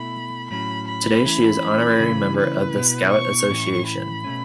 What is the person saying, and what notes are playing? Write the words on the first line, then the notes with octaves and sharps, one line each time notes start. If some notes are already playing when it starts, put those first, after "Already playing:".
Today she is Honorary member of the Scout association.
Already playing: B2 A3 E4 B5
A2 F#3 C#4 B5
B5
E3 A3 C#4 E4
C#3 E3 A3 C#4 E4
B4
B2 B3 E4
C#6
A2 E3 C#4 E4
B5
B2 A3 C#4